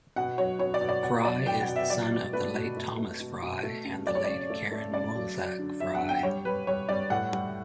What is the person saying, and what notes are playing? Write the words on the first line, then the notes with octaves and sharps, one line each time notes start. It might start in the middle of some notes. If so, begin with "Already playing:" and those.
Frye is the son of the late Thomas Frye and the late Karen Mulzac-Frye.
B2 F#5
F#3 C#5
B2 C#5
D5
B2
D5
B2 F#5
F#3 D5
B2 G5
F#5
B2
E5
F#3 D5
B2
A3 B4
B2
A3
A3
B2
B2
A3
C#3
F#3 D5
C#5
C#3 D5
A3
A3
C#3 D5
F#3
F#3
D3
F#3 E5
F#5
D3
G5
G3 C#5
G3 B4
G3 C#5
G3 D5
A2 F#5
G3